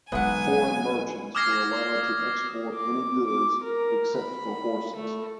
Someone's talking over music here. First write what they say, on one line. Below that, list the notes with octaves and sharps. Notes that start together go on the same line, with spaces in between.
Foreign merchants were allowed to export any goods except for horses.
B1 E3 G#3 B3 F#5 G#5
D6 D#6 F6 G#6 A#6 C7
D6
D6
A#4
B5
A3